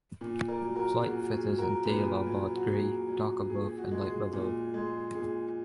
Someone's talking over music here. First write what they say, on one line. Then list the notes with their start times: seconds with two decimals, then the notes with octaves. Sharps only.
Flight feathers and tail are barred grey, dark above and light below.
0.21 A#2
0.48 A#4 D5
0.61 F#3
0.75 F#4 A#4
0.96 G#4
1.02 A#2 F#4 A#4
1.24 F#4
1.31 G#4
1.44 F#3
1.58 F#4 A#4
1.85 A#2 G#4 B4
2.26 F#3
2.56 F#4
2.67 A#2 G#4
3.09 F#3
3.50 A#2 G#4
3.78 F#4
3.91 G#3
4.05 G#4
4.33 A#2
4.74 G#3
5.14 A#2 G#4